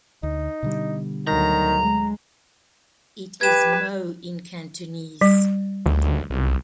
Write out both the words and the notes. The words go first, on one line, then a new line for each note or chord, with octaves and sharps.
It is Mo in Cantonese.
D2 D#4
B2 D3 G3
D2 D#3 F#3 A#5
G#3
G4 B4 G#6 E7
G3
D2
C2